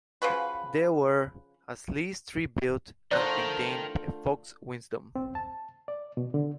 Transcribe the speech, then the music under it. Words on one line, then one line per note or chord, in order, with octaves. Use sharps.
There were as least three built and maintained by Fox-Wisdom.
C#3 F3 F#4 B4
D3 A3 F4 A#4 C5 D5 G5 F#6
C4
A5
D5
B2
D3